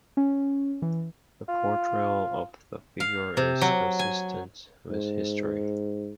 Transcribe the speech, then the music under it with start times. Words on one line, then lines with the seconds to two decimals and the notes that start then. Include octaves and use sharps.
The portrayal of the figures is consistent with history.
0.17 C#4
0.82 E3
1.49 F4
3.00 F5
3.37 C3
3.61 F#3
3.99 G#5
4.91 G#2